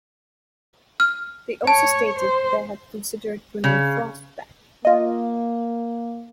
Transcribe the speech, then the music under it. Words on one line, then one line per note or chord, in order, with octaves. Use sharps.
They also stated they had considered bringing Frost back.
F6
C#5 A5
C5
C#3
A#3 F4 D#5